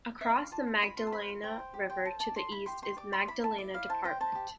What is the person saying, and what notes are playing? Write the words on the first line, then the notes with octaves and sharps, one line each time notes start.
Across the Magdalena River to the east is Magdalena Department.
D5 E5
D5 F5
F4 A5
F4
F4 B5
F4 C6
A5
C5 B5
F4
C5 G5
C5
G4
C5 G5
A4 A5
D5 A5
A4 C6
E4 B5
G4 C6
G4 C6
D5 D6
D5 C6
E4 B5
E4 A5
D5
E4 F5
C5 A5
C5 G5
C5 A5
G4